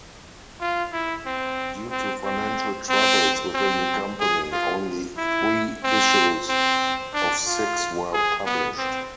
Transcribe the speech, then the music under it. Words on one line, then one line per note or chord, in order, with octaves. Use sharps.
Due to financial troubles within the company, only three issues of six were published.
F4
E4
C4
C4
C4
C4
C4
G#4
F4
E4
C4
C4
D4
F4
G#4
B3
C4